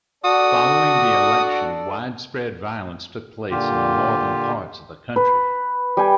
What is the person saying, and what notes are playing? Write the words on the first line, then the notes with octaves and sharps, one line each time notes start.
Following the election widespread violence took place in the northern parts of the country.
D4 F#4 A4 D5 D#6
A#2 D3 F4 G4
B4
G3 G5 G#5